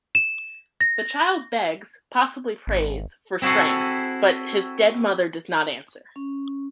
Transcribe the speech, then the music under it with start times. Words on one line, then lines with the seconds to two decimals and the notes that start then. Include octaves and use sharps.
The child begs, possibly prays, for strength, but his dead mother does not answer.
0.15 E7
0.81 A#6
2.67 G#1
3.42 C4 E4 F#4 G#4 A4
6.16 C#4